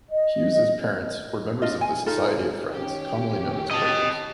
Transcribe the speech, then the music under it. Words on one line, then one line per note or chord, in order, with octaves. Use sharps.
Hewes's parents were members of the Society of Friends, commonly known as Quakers.
D#5
D4 F4 D#5
G#5
D#4 F4 A4
D#3 C#4 G4
D#5 A5